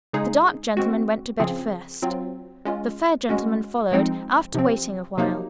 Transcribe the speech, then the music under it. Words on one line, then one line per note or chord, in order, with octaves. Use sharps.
The dark gentleman went to bed first; the fair gentleman followed, after waiting a while.
C#3 G#3 D#4 G#4
G#3 C4 F#4
C#3 F3 C4 F4 G#4
F#3 C4 F4
G#3 C#4 F4
G#3 C#4 F#4
F3 G#3 C4 D#4
C3 F3 C4
C3 F#3 A#3 D#4